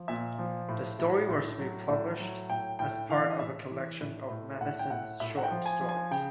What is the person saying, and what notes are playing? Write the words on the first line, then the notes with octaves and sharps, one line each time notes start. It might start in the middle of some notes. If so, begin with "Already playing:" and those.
The story was republished as part of a collection of Matheson's short stories.
Already playing: F3
A#2 E5
F3
A2
A2
A2
F#3
A2
F#3
A2 G5
A2 G5
E3 F5
D5
D#5
A2 E5
E3
A2
A2
A2 F#5
G5
A2 F#5
A2 E5
F#5
G5
F3
G#5
F3
G#5
C#3 G5